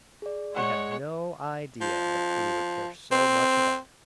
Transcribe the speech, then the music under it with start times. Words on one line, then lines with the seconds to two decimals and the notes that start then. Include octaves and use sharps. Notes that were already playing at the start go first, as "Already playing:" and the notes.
He had no idea that Katy would care so much about it.
0.22 G#4 D5
0.54 G#3 C#5 F#5
1.81 F3
3.11 C4